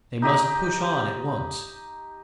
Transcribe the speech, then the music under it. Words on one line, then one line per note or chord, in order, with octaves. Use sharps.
They must push on at once.
D#4 G4 D#5